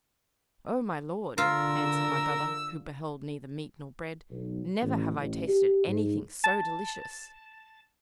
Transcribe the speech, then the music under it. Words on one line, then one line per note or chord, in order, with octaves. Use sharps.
"Oh, my lord," answered my brother, who beheld neither meat nor bread, "never have I tasted anything so delicious."
D3 F4 A#4 E6
B1
A1
A1
G4
G#2
A5